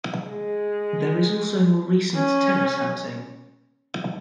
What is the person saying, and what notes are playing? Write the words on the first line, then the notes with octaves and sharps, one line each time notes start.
There is also more recent terrace housing.
G#3
C#4